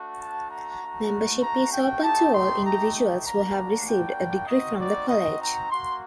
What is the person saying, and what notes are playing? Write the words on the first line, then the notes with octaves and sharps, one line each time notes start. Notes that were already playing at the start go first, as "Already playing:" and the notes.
Membership is open to all individuals who have received a degree from the College.
Already playing: A3 D4 F#4
A5
A#5
A3 D4 F#4
A#5
G5
A3 D#4 G4 A5
C6
A#5
G3 A#3 D4 F#4 A#5
A#5
G5
C4 D#4 F#4 D#5
D5
D#5
A#5
A#3 F#4 C6